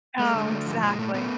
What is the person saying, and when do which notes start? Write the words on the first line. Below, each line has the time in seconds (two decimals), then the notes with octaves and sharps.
Oh, exactly.
0.19 G#3 A3
0.35 D3
0.51 D3
0.66 F3
0.82 A#2 G#3
0.99 A#2 A3
1.14 A#2 A3 B3